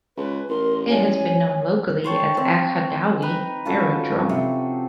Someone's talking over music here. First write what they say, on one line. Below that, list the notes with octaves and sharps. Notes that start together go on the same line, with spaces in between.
It has been known locally as Aghadowey Aerodrome.
C#2 B4
A1 A#4 C6
C#5 G#5
C5 C#5 G5 A5
C4
D#4 B4 A#5
F3 C#4 F#4 A4
C3